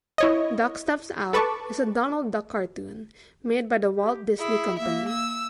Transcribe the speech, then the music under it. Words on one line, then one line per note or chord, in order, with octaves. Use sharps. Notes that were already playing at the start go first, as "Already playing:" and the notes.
Duck Steps Out is a Donald Duck cartoon made by The Walt Disney Company.
E4 C#5 D#5
A4 B4 A5 C#6 D6
G4
E4 G#4
A#3 E5
E6